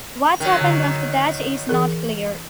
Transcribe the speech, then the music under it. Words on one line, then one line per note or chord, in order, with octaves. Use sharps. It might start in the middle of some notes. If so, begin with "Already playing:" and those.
What happened after that is not clear.
D#3 F#3
D3
E3 G#4 A#4